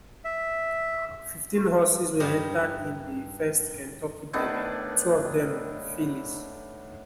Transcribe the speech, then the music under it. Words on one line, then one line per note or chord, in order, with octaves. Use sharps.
Fifteen horses were entered in the first Kentucky Derby, two of them fillies.
E5
G2 D#4 G4 A#4
A2 D#3 B3 D4